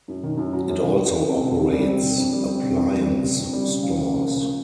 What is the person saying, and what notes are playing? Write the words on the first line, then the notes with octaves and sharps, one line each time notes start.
It also operates appliance stores.
F#2
D#3
F#2
F#3
F#2
D#3
F#2
F#3
C4
D3
F2
G3
C4
D3
F2
G3
C4
D3
F2
G3
C4
D3
F2
G3
C#3
F3
C#3
A#3
C#3
F3